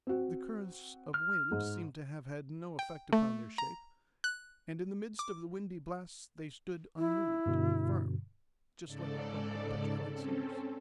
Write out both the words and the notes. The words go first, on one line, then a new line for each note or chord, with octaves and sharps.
The currents of wind seemed to have had no effect upon their shape, and in the midst of the windy blasts they stood unmoved and firm, just like a clump of petrified cedars.
C4 F#4
F6
G#2
G5
A3
A#5
F#6
D6
E4
G2 B2 D3
G#2 C#3 A4 D5
C4 C#4 A4